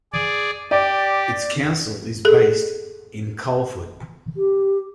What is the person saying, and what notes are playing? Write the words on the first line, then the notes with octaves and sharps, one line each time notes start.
Its council is based in Coleford.
G#4 D5
G4 D5
G#4 A4
G4